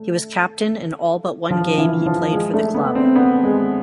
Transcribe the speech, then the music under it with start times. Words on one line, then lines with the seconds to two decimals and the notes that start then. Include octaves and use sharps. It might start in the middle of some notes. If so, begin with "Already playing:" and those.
He was captain in all but one game he played for the club.
Already playing: A3
1.50 F3
1.78 E3
2.06 F3
2.33 G#3
2.54 A3
2.74 B3
2.95 C4
3.16 B3
3.44 G#3